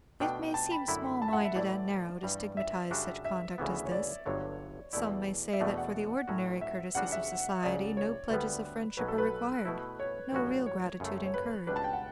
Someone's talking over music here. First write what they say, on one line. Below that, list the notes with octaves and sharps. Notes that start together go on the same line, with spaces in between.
It may seem small-minded and narrow to stigmatize such conduct as this. Some may say that for the ordinary courtesies of society no pledges of friendship are required, no real gratitude incurred.
B2 A3 D4 G5
A5
B5
F#2 D3 A3 E4 B5
A5
E5
F#5
E5
A2 E3 A3 E4 D5
G2 E3 G3
E5
F#2 C#3 G3 D4 F#4
E5
D2 C#3 E3 B3
C#5
D5
G1 G2 D3 F#3 C#5
E2 B2 A3 E4 D5
E5
E2 B2 A3 D4 D5
F#5
A2 F#3 C#4 F#4
E5
E2 C#3 G3 D4 F#4 F#5
E5
C#2 C#3 F#3 D5
C#5
D2 D3 G3 B3 B4
B1 B2 F#3 C#4 B4
A4
B4
B2 A3 E4
C#5
A1 G2 F#3 C#4 F#4
C#5
F#2 C#3 F#3 A3
C#5
B4
C#2 B2 G3 D4 B4
A5
G5
F#5